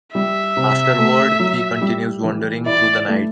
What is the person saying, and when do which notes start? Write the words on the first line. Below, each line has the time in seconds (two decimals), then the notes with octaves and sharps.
Afterward, he continues wandering through the night.
0.14 G3 E5
0.57 C3
0.99 A3
1.40 F#3
1.81 G3
2.24 E3
2.66 E4 D5
3.08 A3